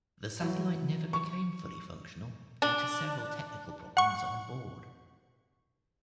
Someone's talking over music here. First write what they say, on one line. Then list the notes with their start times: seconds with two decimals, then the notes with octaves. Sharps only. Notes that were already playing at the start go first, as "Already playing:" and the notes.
The satellite never became fully functional due to several technical problems on board.
0.41 E3 F#3
1.13 C#6
2.62 D4
3.97 F#5 C#6